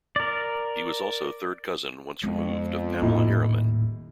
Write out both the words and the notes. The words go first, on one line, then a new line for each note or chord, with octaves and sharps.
He was also third cousin, once removed of Pamela Harriman.
A#4 D5
F2 G#3 B3
D#1 D#2 A2 A#3 D#4 E4